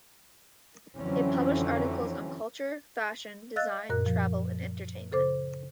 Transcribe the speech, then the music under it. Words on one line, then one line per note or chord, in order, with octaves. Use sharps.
It published articles on culture, fashion, design, travel and entertainment.
F2 D3 E3 F#3 C4 C#4
D#5 F5 E6 F#6 A6
F#2 A#2 A#4 F#6
F3
C#3 A4 C5 D6